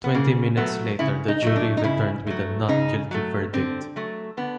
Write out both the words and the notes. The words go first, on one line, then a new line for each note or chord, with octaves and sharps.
Twenty minutes later the jury returned with a "Not guilty" verdict.
B3
C#3 A#3
F#3 A3 B3
C#3 E4
D#4
F#3 A3
D4
D#4
C#3 E4
F#3 A3
C#3 D#4
F#3 A3
D3 C4
F#3 A3
D3 B3